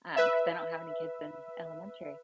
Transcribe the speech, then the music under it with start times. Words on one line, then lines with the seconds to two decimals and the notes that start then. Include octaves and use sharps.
um, 'cause I don't have any kids in elementary.
0.16 B4 E5